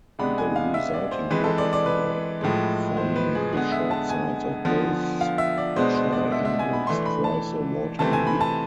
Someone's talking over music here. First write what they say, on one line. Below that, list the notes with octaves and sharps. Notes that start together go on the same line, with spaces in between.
The resulting waterfall, forming the short sides of both triangles, drives a water wheel.
C3 G#3 B3 D4 B5
G#5
F5
E5
D5
C5
E3 G#3 C4 B4
A4
D5
D5
B4
A2 F3 G#3
C5
B4
G#4
D3 G#3 B3 G#4
E5
A5
G#5
D3 F3 B3
F5
E5
D5
B2 G#3 B3 D4 C5
C5
D5
E5
E5
G#5
B5
E3 A3 D4 C6
B5
A5
C3 E3 A3 C4 A5
G#5
B5
A5